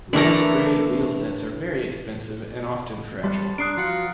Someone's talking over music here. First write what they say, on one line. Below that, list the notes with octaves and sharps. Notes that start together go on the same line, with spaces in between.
Race-grade wheelsets are very expensive and often fragile.
E3 A3 D4 A4 A#4 A#5
G3 A5 C6
D4 A#5 D#6 F#6 C7 D7
F3 F4 F#4 F#5 F6 C#7